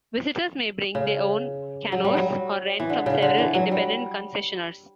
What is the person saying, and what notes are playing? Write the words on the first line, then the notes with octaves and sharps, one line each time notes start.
Visitors may bring their own canoes or rent from several independent concessioners.
C#3
F#3
G3
F#3
E3
D3
C#3
D3
E3
F#3
G3